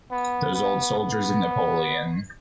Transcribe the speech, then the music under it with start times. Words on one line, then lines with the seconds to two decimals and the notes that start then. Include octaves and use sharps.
Those old soldiers of Napoleon!
0.11 B3
0.55 B3
0.99 B3